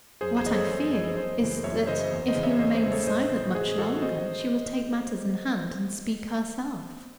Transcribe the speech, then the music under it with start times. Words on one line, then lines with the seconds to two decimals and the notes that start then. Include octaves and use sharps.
What I fear is that if he remains silent much longer she will take matters in hand and speak herself.
0.21 F#2 G#4 C5
0.37 G#4 C5
0.45 E3 D#5
0.53 A4 C#5
0.69 F#2
0.93 E3 C5 D#5
1.16 F#2 C5 D#5
1.40 C#3 E3
1.64 F#2 C#5 E5
1.87 C#3 E3 C5 D#5
2.12 E2
2.28 C5 D#5
2.35 C#3 E3
2.43 C#5 E5
2.59 E2 C5 D#5
2.74 C5 D#5
2.83 C#3 E3
2.92 A4 C#5
3.07 A2 C5 D#5
3.30 E3
3.54 A2 G#4 C5
3.78 E3 F#4 A4
4.02 C5 D#5